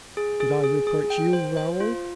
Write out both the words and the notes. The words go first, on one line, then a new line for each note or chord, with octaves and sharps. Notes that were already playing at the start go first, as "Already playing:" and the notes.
"Did I reproach you, Raoul?"
G#4
G#4
G#4
G#4
G5
C5
C5
F4